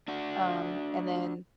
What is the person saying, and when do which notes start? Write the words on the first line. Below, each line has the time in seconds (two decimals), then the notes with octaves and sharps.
Um, and then,
0.08 D4 F#4